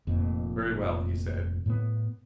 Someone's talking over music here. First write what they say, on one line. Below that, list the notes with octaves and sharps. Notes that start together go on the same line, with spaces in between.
"Very well," he said.
F1 F2 A#2
A2 B3